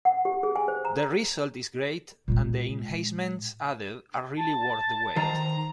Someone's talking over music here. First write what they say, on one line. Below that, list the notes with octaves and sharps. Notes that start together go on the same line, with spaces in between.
The result is great and the enhancements added are really worth the wait.
F#5
G4
G#4
G#5
C5
A#5
A#2 G#3
A5
D#3 C5 A#5